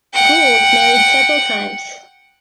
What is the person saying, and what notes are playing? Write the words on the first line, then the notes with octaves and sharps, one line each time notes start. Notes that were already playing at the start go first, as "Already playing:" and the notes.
Gould married several times.
F#5 G5